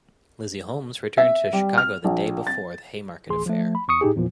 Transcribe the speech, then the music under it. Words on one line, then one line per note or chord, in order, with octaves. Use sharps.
Lizzie Holmes returned to Chicago the day before the Haymarket affair.
E5
G3
F6
A#1
A6
A1 D2 G#4 C6
F3 A3
B5
E2 C#6 D#6 C#7
A2 D#4 G4 G#4
E2 A#2 F3